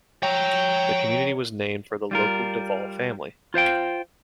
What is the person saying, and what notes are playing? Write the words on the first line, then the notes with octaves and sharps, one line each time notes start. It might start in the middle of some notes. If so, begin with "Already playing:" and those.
The community was named for the local Devol family.
C#5 G5 A#5
G3 F4 A#4
F4 C5 F5 G5